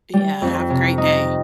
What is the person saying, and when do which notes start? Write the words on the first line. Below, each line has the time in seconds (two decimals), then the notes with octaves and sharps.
Yeah, have a great day.
0.13 G3
0.42 F2
0.70 C3
0.98 D#4